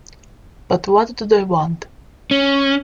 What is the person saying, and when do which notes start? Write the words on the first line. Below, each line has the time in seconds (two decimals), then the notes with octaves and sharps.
But what do they want?
2.31 C#4